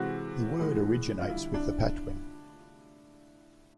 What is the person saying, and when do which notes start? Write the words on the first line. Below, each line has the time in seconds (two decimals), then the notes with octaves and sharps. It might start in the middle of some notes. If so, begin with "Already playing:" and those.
The word originates with the Patwin.
Already playing: C3 E3 G#3 F#4
0.60 A2 E3 G#3
1.20 F4
1.29 D3 G3 E4
1.54 D4